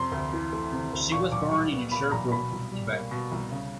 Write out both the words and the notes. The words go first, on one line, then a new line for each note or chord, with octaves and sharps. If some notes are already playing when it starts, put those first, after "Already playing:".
She was born in Sherbrooke, Quebec.
Already playing: F2 C3 C6
D2
E3
A3
C3
D2
A#2 C#6
B1 D6
G3 C#6
B3
A#2 B5
B1 A#5
B2 B5
C2
G3
A#3
B2
C2
C#3